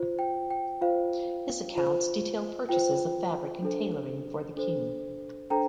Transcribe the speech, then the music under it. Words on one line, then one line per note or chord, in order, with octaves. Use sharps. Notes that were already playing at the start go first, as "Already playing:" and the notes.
His accounts detail purchases of fabric and tailoring for the king.
Already playing: F4 C5
G5
G5
F4 C5 F5
F4 C5
F4 C5 G5
D4 A4 C5
D4 A4 C5
D4 A4 C5 G5 A#5